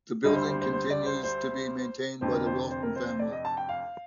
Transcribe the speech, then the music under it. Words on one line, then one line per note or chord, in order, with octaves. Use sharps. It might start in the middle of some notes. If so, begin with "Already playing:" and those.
The building continues to be maintained by the Wilson family.
D2 D3 G3 D#5
C5
C5
C5
C5
D5
C5
C5
F1 F2 D3 C5
A#4
C5
C5
A#4
C5
C5
D5
D#5
A5
G5
F5